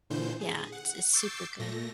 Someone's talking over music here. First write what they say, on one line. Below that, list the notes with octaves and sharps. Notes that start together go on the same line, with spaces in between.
Yeah, it's it's super good.
A#2 D3 E3 C5 G6
G#4
F#5
C#6 D6 E6 G6 A6 C7
A#2 A3 A#6